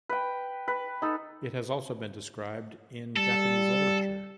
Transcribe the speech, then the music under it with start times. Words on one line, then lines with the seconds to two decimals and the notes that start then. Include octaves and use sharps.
It has also been described in Japanese literature.
0.09 B4 G5
0.68 B4
1.02 D#4 A4
3.17 G3 A4